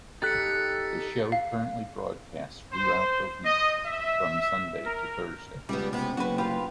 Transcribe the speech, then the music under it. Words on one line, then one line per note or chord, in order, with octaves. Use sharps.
The Show currently broadcasts throughout the week, from Sunday to Thursday.
D#4 G4 A4 F#6 A6 B6 C#7
F5
C5
D#5
E5
A#4
C#2 G3 B3
C3 B3
F#1 F#4 B4
F4 G4 B4